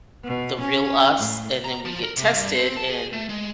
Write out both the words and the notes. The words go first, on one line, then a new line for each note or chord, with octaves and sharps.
the real us and then we get tested in
B2
C#4
A2
A#5
F3
A#4
C3
G2
C4
A5
G#4
A3
G#3